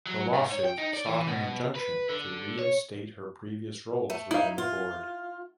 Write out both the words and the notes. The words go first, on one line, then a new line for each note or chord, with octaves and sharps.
The lawsuit sought an injunction to reinstate her previous roles within the Board.
F#3
G#2
C#5
G5
D#4
D5
E3
B2
B4
D3
C#5
A3
D#4 E4 F5
F4